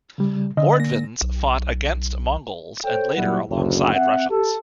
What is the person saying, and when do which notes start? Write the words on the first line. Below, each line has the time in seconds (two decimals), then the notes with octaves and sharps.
Mordvins fought against Mongols and later alongside Russians.
0.18 C#3 G3
0.57 D3 D#5
0.80 A#3 A#6
1.22 B1
2.85 A4 C5 C#5 G5
3.16 A#2 F#3 G3 E4 F#5
3.49 F#1 D2
3.94 C4 E5 F#5
4.29 G4 A4